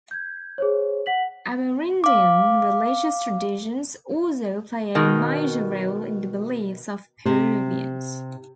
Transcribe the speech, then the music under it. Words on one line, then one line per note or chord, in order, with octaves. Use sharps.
Amerindian religious traditions also play a major role in the beliefs of Peruvians.
G6 G#6
G#4 C5 C#5
F#5 B6 F#7
F5 D6
B2 D#3
C3